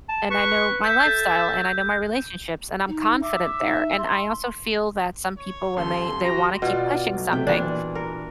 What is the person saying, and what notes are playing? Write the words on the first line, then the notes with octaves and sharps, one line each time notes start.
and I know my lifestyle, and I know my relationships, and I'm confident there, and I also feel that some people when they they wanna keep pushing something
A5
B4 C#6
E5 G6
A4
D#4
E5 D6
D#4
C6
C#5
D#1 A4 C6
F#4 G4 A#5 C6
B2 F4 D5
B1
C3 A3 G5
A#2 E3 D4
A#4